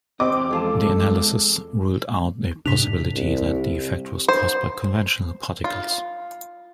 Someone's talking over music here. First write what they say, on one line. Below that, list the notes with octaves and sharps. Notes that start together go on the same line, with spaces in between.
The analysis ruled out the possibility that the effect was caused by conventional particles.
E2 G#3 C4 G4 D#5 D6
F2 F4 A4 A5
G#2 C3 D4 B6 F7
C2
C5
F4